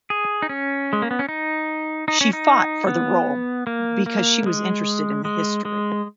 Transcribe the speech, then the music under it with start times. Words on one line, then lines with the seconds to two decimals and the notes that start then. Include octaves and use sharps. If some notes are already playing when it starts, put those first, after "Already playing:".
She fought for the role because she was interested in the history.
0.10 G#4
0.42 D#4
0.49 C#4
0.93 G#3
1.02 A#3
1.11 B3
1.19 C#4
1.29 D#4
2.08 D#4
2.21 C#4
2.33 D#4
2.87 B3
3.67 A#3
4.06 A#3
4.46 G#3
5.25 G#3
5.65 G#3